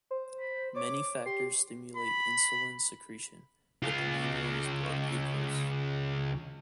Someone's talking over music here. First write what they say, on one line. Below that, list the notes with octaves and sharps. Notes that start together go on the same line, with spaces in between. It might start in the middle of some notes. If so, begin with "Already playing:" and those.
Many factors stimulate insulin secretion, but the main one is blood glucose.
C5
B5
C#5 D6
G4 C6
B5
C#2 F4